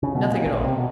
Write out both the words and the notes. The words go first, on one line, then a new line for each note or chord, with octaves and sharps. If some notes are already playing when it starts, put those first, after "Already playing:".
"Nothing at all."
C#3
B2
A#2
A#1
C3
B2